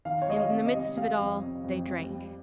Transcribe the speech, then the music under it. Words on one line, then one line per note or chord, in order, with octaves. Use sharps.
In the midst of it all, they drank.
D#3 F5
C#5
G3 D#5
F5
C3
D#5
G3
G3 F5
F2
C3
F2
G3
G3